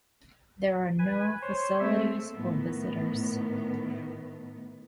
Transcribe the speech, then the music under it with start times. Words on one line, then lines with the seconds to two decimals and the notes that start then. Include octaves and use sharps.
There are no facilities for visitors.
0.99 B4 G#5
1.42 C5 C#5
1.80 G#3 A3 C4 E5
2.33 A2 D#3 B3